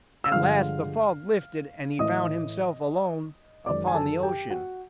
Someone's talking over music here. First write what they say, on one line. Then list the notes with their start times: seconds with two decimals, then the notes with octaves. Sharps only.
At last the fog lifted, and he found himself alone upon the ocean.
0.24 E6
0.32 G2 D3 F3 G#3 F5 F6
1.99 A2 E3 A3 D#5 D#6
3.66 F#2 D#3 G#3 D5 D6
3.87 G#5
3.95 A4 A5
4.23 G4 G5
4.50 F#4 F#5